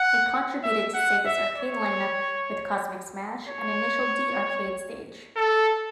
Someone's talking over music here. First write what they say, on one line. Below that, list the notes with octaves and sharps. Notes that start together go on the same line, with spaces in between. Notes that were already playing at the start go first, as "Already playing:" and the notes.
It contributed to Sega's arcade line-up with "Cosmic Smash" and "Initial D Arcade Stage".
Already playing: F#5
E5
F#5
E5
C#5
C#5
A4